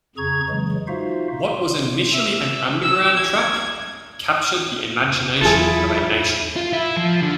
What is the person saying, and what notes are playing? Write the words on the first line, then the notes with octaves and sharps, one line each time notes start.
What was initially an underground track captured the imagination of a nation!
F2 C#3 G#4 A#5 C#6 G#6
C#3 E3 F#3 G#3
D#4 F4 F#4 C5 E5 F5
C6
E5
E6
G#6
E2 F#3 E4 F4 G#4 A4
F4
E4
F3
D3